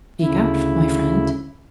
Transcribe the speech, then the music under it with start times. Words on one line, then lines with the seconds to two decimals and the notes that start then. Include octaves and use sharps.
"Speak out, my friend."
0.21 D2 C#3 E4